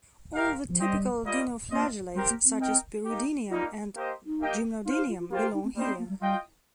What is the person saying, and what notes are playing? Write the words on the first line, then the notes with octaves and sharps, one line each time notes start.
All the "typical" dinoflagellates, such as "Peridinium" and "Gymnodinium", belong here.
D#4 G4 A#4 F5
F3
G3 C4 G4 D#5
G3 A#3 F4 D#5
A#3 C4 F4 D#5
G3 C4 G4 A#4
A#3
C4
D#4 A#4 G5
A#3 D#4 G4
G3 A#3 D#4 F4
A#3 G4 C5 D#5
D#4
A#3 G4 D#5 G5
D#4 F4 C5 F5
G4
F4
F4
A#3 F4 G4 C5 G5
G4
D#4
C4
G3 A#3 D#4 C5 G5
C4
A#3
G3
G3 F4 D#5 G5